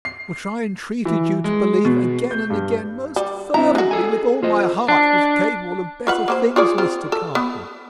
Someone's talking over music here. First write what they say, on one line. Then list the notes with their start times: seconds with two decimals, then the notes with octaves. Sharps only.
"Which I entreated you to believe, again and again, most fervently, with all my heart, was capable of better things, Mr. Carton!"
0.05 C7
1.05 E3
1.44 G#3
1.85 B2
2.31 G6
2.50 G2
3.16 G3
3.54 C4 D4 E4 A#5
3.75 G#3 F#4
3.91 G#4 A4 G#5
4.43 F4 C5 D#5
4.88 D4
6.07 F4 B4 F#5
6.28 A#3 C4 C5
6.56 F4 G#4 D5
6.78 C4 F4
7.12 A4
7.35 B3